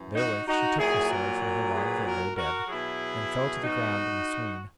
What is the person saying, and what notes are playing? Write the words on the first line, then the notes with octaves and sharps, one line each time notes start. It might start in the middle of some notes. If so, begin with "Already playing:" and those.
And therewith she took the sword from her love that lay dead, and fell to the ground in a swoon.
Already playing: F#2 E3
D#4 F#4
D#4 F#4
A#2 F#3 E4 G#4
F#4 A#4
F#4 A#4
G#4 B4
F#4 A#4
F#4 A#4
B2 F#3 E4 G#4
D#4 F#4